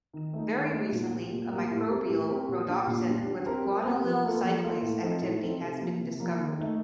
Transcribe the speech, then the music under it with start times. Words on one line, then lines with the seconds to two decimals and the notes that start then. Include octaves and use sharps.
Very recently, a microbial rhodopsin with guanylyl cyclase activity has been discovered.
0.13 D#3
0.34 A3 D#4
0.53 D#3
0.72 A3 D#4
0.92 A#2
1.11 G3 A#3
1.31 A#2
1.51 G3 A#3
1.70 A2
1.89 G3 C4 G4 A#4
2.10 A2
2.28 G3 C4 G4 A#4
2.48 A#2
2.68 G3 D4
2.87 A#2
3.06 G3 D4
3.26 G3
3.46 C4 G4 A#4
3.65 G3
3.84 C4 G4 A#4
4.04 F3
4.23 A#3 F4 A4
4.43 F3
4.63 A#3 F4 A4
4.82 A2
5.02 F3 C4 D#4 A4
5.21 A2
5.42 F3 C4 D#4 A4
5.61 C3
5.80 F3 A#3
5.99 C3
6.20 F3 A#3
6.38 D#3
6.58 A3 D#4